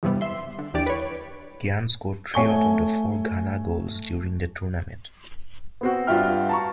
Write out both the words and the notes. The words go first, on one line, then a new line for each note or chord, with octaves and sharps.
Gyan scored three out of the four Ghana goals during the tournament.
E2 G2 C3 G3 B3
E5 C6
D3
D#2 E3 D4 G4 D5 D7
B4 C#5
A3 C#5 G#5 C#6 G7
B3 C4 F#4
G2 F4 F#4 E5 G5 F6
A5 A#5 C#6